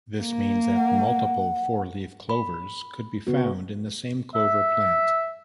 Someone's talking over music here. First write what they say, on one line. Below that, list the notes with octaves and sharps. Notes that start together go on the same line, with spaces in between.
This means that multiple four-leaf clovers could be found in the same clover plant.
A#3
F#5
B5
C#3 B3 F#4
E5